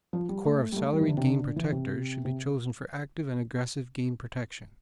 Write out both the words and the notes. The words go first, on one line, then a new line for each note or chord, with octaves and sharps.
A corps of salaried game protectors should be chosen for active and aggressive game protection.
F3
G3
A3
G3
A3
G3
E3
D3
C3
D3
D3
E3
C3
C3